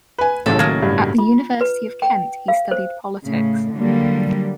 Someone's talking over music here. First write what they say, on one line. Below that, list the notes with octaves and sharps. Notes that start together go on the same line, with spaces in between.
At the University of Kent he studied Politics.
B4 G#5
A1 A2 C#3 F#3 A4
D#3 A#3 G#6
G2
F4
B4
G5
F5
C5
A2 C#3
D3 F#3 G3 A#3